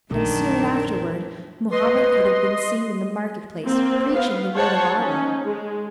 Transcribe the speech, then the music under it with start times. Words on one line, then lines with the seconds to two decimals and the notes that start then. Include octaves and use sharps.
And soon afterward Mohammed could have been seen in the market place preaching the word of Allah.
0.11 A#1 F#2 D#3 D4
1.71 B4 D#5 C6
3.65 A#3 C4
4.13 B3 F5
4.56 C5 C#5 F#5 A5
4.95 C#4 D#4
5.44 G#3